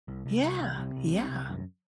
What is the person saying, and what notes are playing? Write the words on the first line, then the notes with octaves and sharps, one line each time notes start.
Yeah. Yeah.
C2
C2
C2
C2
C3
C2
C3
C2
F#2